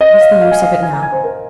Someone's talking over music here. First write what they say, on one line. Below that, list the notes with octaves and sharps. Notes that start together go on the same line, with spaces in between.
What is the use of it now?
D#5
F5
F5
G#5
F5
F5
G#5
A#5
G#5
C5
A#4